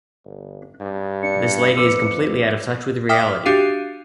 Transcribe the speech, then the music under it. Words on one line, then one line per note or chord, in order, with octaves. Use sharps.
This lady is completely out of touch with reality.
G1
G2
D4 C#7
F2 B4 D6 E6
E5 G5 D6 D#6 F6 B6
D4 F#4 G4 F5 C7 D#7